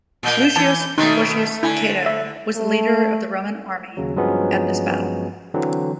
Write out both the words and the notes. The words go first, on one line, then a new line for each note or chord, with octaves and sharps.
Lucius Porcius Cato was the leader of the Roman army at this battle.
A#2 A#3 G6
E3 A5
B2 D#3 A3 D#4
D3 E4 G#5
E5
A3
D#2 C#3 F#3
G2 F3 F#3 G#3 B3 C#4
D3 E3 F#3 C4